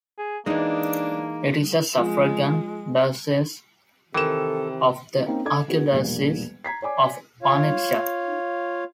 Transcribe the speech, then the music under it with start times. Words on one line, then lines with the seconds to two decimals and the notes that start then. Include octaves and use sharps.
It is a suffragan diocese of the Archdiocese of Onitsha.
0.18 G#4
0.46 E3 G#3 A#3 D4 D#4 D#5
1.96 F3 G#3
4.14 C3 D#3 E3 A4 E7
5.26 A#3 C4 C#4 D#4
5.45 D4 A4 D#5 D6 G#6
5.68 D#3 B3 F#4 G#4
5.91 E1 A#1 G3 A#3
6.64 A#5 G#6 B6 C7
6.82 C#5 D5 G#5 D6
7.42 F4 C#5 F5